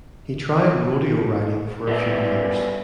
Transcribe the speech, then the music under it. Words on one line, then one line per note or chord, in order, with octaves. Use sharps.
He tried rodeo riding for a few years.
G3 B3 E5